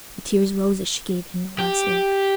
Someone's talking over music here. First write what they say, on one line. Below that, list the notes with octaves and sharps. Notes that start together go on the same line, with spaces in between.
The tears rose as she gave him the last look.
G4